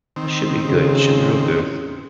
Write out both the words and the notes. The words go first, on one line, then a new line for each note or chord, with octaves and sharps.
it should be good. It should be real good.
D#3 C4
C#3